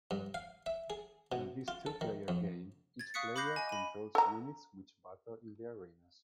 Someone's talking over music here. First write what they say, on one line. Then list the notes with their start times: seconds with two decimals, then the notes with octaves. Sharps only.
In this two-player game, each player controls units which battle in the arenas.
0.11 G2
0.34 F5
0.66 E5
0.90 G#4
1.32 B2
1.68 F4
1.86 A4
2.01 D#3
2.28 F2
2.99 G#6 A6
3.14 F5 C#6 D#6 F#6 B6 C#7
3.36 B5 D6 F#6 G6 A#6 C7
3.56 D#5 G#5
3.69 B5 D#7
4.15 A4 A#5